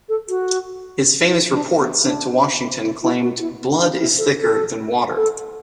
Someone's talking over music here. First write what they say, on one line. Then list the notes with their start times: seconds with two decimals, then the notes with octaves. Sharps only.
His famous report sent to Washington claimed "Blood is thicker than water".
0.09 A4
0.29 F#4
1.26 E4
1.53 D4
1.79 B3
2.04 D4
2.83 E4
3.02 E4
3.21 F#4
3.40 E4
3.61 B3
3.80 D4
3.99 E4
4.18 A4
4.39 A4
5.16 A4